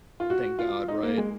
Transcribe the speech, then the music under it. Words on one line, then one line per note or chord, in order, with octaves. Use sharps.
Thank god, right?
F4
F#4
F4
D#4
A#3
G#3